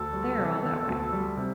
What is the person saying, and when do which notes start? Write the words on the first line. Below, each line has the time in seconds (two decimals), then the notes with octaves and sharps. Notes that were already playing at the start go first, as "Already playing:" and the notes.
They are all that way.
Already playing: D2 A4
0.13 G3
0.37 C3
0.63 B3
0.88 D2
1.12 G3
1.37 C3